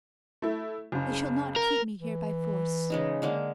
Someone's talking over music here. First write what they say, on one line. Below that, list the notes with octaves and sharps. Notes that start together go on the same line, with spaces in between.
They shall not keep me here by force.
A3 E4
F#1 C#3
A#4
E3
C#3 G#3 D#4
D3 G#3 A#3